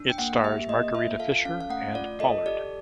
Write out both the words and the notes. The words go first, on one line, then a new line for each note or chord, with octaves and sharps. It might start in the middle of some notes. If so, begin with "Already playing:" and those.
It stars Margarita Fischer and Pollard.
Already playing: D4
G5
A#3 F#5
G4 E5
A#3 D#5
F4 E5
A4 F5
C#4 F5
F5
A3 F#5
F4 D5
A4 D#5
G4 D5